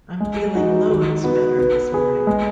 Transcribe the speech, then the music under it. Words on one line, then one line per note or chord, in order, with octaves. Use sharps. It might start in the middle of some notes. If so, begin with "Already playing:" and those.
I'm feeling loads better this morning.
G#3
D#4 F#4
D#3
B3 F#4
B3
G#4 B4
G#3